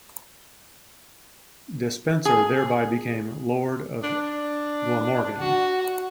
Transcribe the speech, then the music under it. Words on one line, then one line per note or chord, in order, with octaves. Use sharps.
Despenser thereby became Lord of Glamorgan.
G#4
D4
F#4